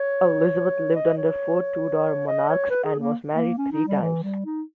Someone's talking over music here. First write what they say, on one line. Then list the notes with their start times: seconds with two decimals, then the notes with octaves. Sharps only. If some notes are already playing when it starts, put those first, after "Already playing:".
Elizabeth lived under four Tudor monarchs and was married three times.
Already playing: C#5
0.96 D#5
1.18 C#5
2.28 D#5
2.49 C#5
2.70 B4
2.85 G#4
2.99 A#3
3.36 A#3
3.58 C#4
3.72 D#4
3.87 G3
4.02 E3
4.23 G3
4.45 D#4